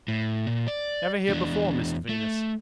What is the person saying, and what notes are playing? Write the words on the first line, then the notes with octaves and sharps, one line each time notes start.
Ever here before, Mr Venus?'
A2
A#2
D5
E2 D4
A3